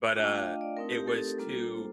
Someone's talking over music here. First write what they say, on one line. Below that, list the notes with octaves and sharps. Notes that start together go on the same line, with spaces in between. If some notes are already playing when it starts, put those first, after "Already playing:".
but, uh, it was too
A3 D4 F4 G5
G5
F5
D#5
D5
A3 C4 D#4 A#4
G4
A4
G3 A#3 D4 F4 A4
C5